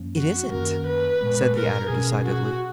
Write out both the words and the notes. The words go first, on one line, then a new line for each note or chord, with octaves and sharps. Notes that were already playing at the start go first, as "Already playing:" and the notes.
"It isn't," said the Adder decidedly.
Already playing: F#2 F3 A#3 C#4
F#4
F#2 D#3 A#3 C#4 A#4
B4
A#2 G#3 B3
A#4
B2 F#3 C#4 G#4
F#4